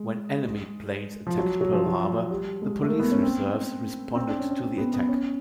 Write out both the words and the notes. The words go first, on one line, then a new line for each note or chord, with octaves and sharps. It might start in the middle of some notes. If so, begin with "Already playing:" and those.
When enemy planes attacked Pearl Harbor, the police reserves responded to the attack.
Already playing: G#3
F3
F#3
F#3
F3
F#3
G3
G#3
A3
A#3
B3
C#4
C4
C4
D4
C#4
C#4
C4
B3
B3
C#4